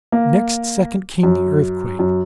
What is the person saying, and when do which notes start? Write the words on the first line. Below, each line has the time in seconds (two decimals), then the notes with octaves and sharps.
Next second came the earthquake.
0.12 A#3
1.23 F#2
1.99 F#2